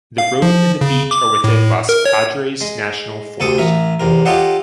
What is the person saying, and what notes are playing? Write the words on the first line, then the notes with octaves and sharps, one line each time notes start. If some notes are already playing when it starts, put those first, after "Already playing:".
The road and the beach are within the Los Padres National Forest.
F5
F3
C#3
D6
A2
A#4
C#5
G#3
D2 C3 A4 C#6 D#6
A1 A#4 E5
E2 C3 A#4
F4 G4 A4 C#5 D#5 F#5